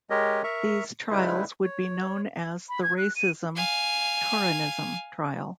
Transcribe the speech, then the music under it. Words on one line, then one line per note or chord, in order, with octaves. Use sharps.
These trials would be known as the Racism-Turanism trial.
G#3 G4 A#4 C#5 D#5
A#4 E5 A#5 C#6
C#3 G3 G#3 D#4 E4 B4
C#5
B5
G#6
F#6
D#7
F5 G#5